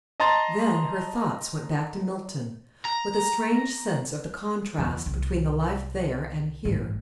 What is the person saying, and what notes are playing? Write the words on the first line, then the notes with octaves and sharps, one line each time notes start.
Then her thoughts went back to Milton, with a strange sense of the contrast between the life there, and here.
D#5 A5 A#5 C6 A6
A#5
E2 F3
C2
A1 G2